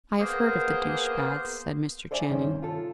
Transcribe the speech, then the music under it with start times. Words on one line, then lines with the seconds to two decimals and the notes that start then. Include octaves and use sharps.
"I have heard of the douche baths," said Mr. Channing.
0.20 A#3 B3 G#4 A#4 C5
2.11 A4 C5 D5 E5 G5 G#5
2.29 G2 C3 D#3 C#4 C5
2.62 F4 A4